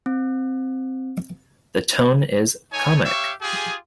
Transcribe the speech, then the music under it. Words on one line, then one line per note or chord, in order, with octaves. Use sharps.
The tone is comic.
C4
A3 D#4 C#5 G#5
G4 C#5 E5 F5 C#6
F4 G4 G#4